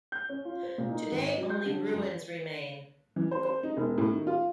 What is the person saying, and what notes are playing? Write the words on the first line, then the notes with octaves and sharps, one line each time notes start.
Today only ruins remain.
G6
C#4
F4
C5
A#2
D#4
G#1
D#5
F#3
G6
D3
F#2
E3
C5
C5
D#4
E1
A2
D#3
F4